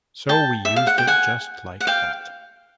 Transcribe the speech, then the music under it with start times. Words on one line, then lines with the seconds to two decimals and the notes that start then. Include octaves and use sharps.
So we used it just like that.
0.29 G5 A5
0.65 E5
0.76 F5
0.87 F#5
0.98 G5
1.07 F#5 G#5
1.80 F#5
1.87 F5 G5